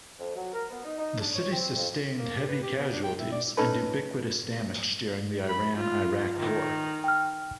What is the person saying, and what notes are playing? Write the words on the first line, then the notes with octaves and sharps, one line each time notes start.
The city sustained heavy casualties and ubiquitous damage during the Iran-Iraq war.
F2
F#3
A#4
B3
D#4
D#4
D4
C#5
C4
F2
A#3
G4
B4
G4
B3
D4
G5
E4
D5
C#4 D#4 A4 B4
B5
F4
D#3
G5 F6